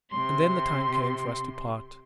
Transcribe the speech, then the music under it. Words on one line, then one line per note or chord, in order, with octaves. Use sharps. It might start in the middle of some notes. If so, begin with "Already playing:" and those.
And then the time came for us to part.
C3 C6